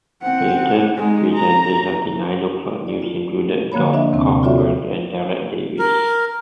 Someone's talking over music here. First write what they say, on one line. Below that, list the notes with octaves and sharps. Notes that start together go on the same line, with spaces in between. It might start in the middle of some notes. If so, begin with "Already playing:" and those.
Later presenters of the "Nine O'Clock News" included Don Cockburn and Derek Davis.
C4 F#5
G#3 D#4
A#5
D5
F4
D3 F3 A#3 C#5 B5
D4 D#5 E5
D#2 C3 C4
F4 F#4 A4 C#5 D5 E5
A#4